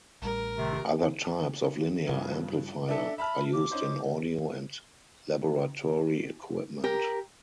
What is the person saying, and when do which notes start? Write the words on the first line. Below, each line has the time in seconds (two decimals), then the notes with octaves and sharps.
Other types of linear amplifier are used in audio and laboratory equipment.
0.22 A1 G3 A#4
0.57 C3 D#3 A3
2.06 G2 C#3 F3
2.88 D4 A4 E5
3.18 E5 A5 B5 F6
3.53 D6
3.71 C#4 D#4 C5
6.84 G4 A#4